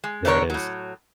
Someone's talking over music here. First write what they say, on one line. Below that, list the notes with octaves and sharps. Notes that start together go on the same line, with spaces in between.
There it is.
G#3
B2 D3 D4 A#4 C5 C#5
A2 F#3